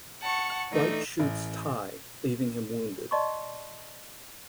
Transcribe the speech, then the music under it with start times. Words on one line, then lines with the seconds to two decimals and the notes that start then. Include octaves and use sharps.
White shoots Tai leaving him wounded.
0.21 F#5 A5 C#6
0.72 E3 A3 D4 D#4
1.20 A1
3.11 D5 D#5 A5 C6 C#6